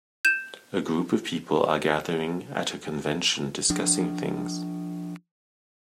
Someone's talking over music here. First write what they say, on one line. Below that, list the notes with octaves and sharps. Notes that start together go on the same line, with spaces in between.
A group of people are gathering at a convention discussing things.
G6 D#7 E7
F3 D4